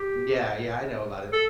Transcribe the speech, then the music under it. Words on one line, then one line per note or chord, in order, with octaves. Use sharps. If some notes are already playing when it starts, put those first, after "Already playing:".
Yeah, yeah, I know about it.
Already playing: G4
A4